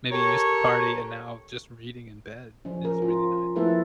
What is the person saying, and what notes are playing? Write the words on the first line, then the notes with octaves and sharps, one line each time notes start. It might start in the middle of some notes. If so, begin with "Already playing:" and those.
Maybe you used to party and now just reading in bed is really ni
G4 A4 A#4 C#5 A#5 C#6
F3 C#4
A#4
F4
F3 A3 A#3 E4 A4 B4